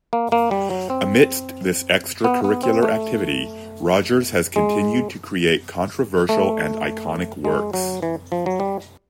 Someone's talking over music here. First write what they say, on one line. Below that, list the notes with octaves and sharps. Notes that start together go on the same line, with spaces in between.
Amidst this extra-curricular activity, Rogers has continued to create controversial and iconic works.
A#3
A#3
G3
F#3
C4
B3
B3
C4
A3
G#3
A3
G#3
F#3
E3
F3
F#3
G3